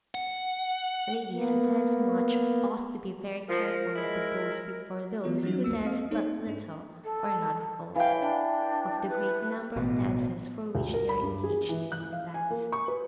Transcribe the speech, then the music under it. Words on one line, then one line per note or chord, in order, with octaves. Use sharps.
Ladies who dance much, ought to be very careful not to boast before those who dance but little or not at all, of the great number of dances for which they are engaged in advance.
F#5
A#3 B3
F3 A#4
G#3 E4
E3 B3 F4
F#3 G3 C#4 D#4 F#4
C2 F2 A#3 E6
C4 A4 D#5 F5
A#3 D#4 A4 C5 C#5
G#2 D4
A4
E3 F5 G5
D4
B4
A1 B2
D2
A#4
B5
G2
G#4
E3
F#6
F5
G#5
A#3
C#6
B4